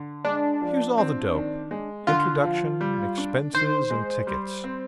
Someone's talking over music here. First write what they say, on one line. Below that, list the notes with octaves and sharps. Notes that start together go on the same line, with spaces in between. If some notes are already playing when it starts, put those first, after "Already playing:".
Here's all the dope--introduction, expenses, and tickets.
Already playing: D3
G#3 D4
F3
C4
D#3
G#3
D3 F4
F3
G3
D4
D#3 C5
G#3
G3
C4